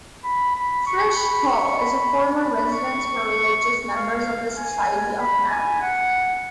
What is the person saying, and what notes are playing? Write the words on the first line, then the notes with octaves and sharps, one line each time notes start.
"Frische Hall" is a former residence for religious members of the Society of Mary.
B5
B5
C#6
B5
C#6
B5
B5
C#6
F5
G#5
B5
G#5
F#5